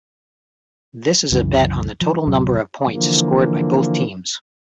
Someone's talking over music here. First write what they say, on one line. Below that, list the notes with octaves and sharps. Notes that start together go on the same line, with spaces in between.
This is a bet on the total number of points scored by both teams.
C2 F#2 C#3 E3
F3
D1 C3 F#3
D3 E3 F3 A#3